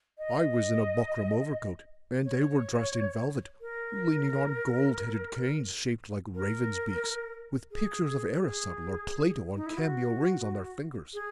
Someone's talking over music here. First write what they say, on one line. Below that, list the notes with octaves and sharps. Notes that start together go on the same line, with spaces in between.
I was in a buckram overcoat, and they were dressed in velvet, leaning on gold-headed canes shaped like ravens' beaks, with pictures of Aristotle or Plato on cameo rings on their fingers.
D#5
C#5
A#4
A#4
G#4
G#4
D#4
E4
F#4
G#4